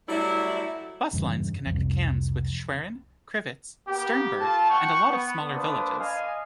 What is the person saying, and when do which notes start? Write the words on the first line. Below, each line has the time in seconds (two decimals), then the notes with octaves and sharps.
Bus lines connect Cambs with Schwerin, Crivitz, Sternberg and a lot of smaller villages.
0.09 F#3 G3 A3 E4
1.13 E2 G2 C#3
1.66 C2 F2
3.88 A#3 B3 G4
4.41 F4 A4 A5
4.70 F#5 G5 C#6
5.09 B3
5.53 A#3 D4 B4 C5 D#6
6.00 D#5 F5 G#5